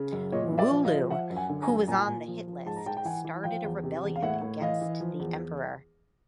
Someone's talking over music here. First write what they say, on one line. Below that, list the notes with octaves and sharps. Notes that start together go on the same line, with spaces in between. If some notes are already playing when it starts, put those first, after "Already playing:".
Wulu, who was on the hit list, started a rebellion against the emperor.
Already playing: C#3
F#2
A#2 C#5 D#5
A#2
D5 E5
F3
D#5 F5
F3
F3 E5 F#5
F#2
F#5 G#5
D3
G#5 A#5
F#2
A#2 G#5 A#5
A#2
F3
F3
G#2 A5
A#5
G#2 G5 A5
G5
E3 F#5 G#5
E3
F3 F5 G5
E2
C3
E2
F5
A2 E5 F#5
A2
E3 D#5 F5
E3
F3
E2